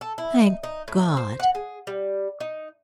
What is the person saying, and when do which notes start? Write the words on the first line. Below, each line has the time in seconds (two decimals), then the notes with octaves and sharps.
"Thank God!"
0.01 A4
0.18 E4
0.41 D#4
0.63 D#4
0.88 A2
1.17 C5
1.40 F#5
1.55 G#4
1.87 G3
2.40 D#4